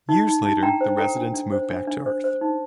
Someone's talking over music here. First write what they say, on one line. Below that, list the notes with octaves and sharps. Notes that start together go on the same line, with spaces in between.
Years later, the residents move back to Earth.
D#4
D#4
D#4
D4 G5 A#5
C5
A4 G5 A#5
D4
D4
C5
D4
D4
C5
C5
D#4